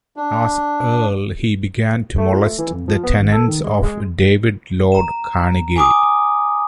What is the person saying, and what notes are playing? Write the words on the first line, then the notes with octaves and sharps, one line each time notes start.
As earl he began to molest the tenants of David Lord Carnegie.
D4
A3
F4
A3
E3
F2
F3
B3
G#1
A4
D#3
G#3
G#3
A#5 E7
G#5 D6 D#6